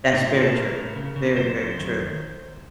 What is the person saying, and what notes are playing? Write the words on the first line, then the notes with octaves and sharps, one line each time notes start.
That's very true. Very, very true.
A2 D#4
F4
A2
A4
A2 A#4
A2
C#3
C#3
F#2 C5
F#2
D#3